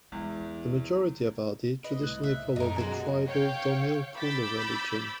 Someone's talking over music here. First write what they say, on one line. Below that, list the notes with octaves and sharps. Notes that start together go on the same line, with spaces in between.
The majority of Adi traditionally follow the tribal Donyi-Polo religion.
E2 E3 G#3
B4 D#5
C2 A2 F#6
E5
F#2 B2 A3 D#4 A#4
G#3 F#4 G#5
C#5 F5 G5
B5 D6 E6 G6 A6 B6